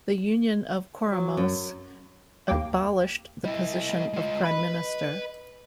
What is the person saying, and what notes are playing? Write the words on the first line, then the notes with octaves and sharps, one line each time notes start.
The Union of Comoros abolished the position of Prime Minister.
F#3
F#2
D#2 A#3 G5 D6
G3 E4 D#5
G#3 F4
B4 D#5 B5